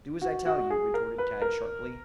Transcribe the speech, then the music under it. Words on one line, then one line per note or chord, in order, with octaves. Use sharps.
"Do as I tell you," retorted Tad sharply.
F#4
F#4
G#4
A#4
B4
A#4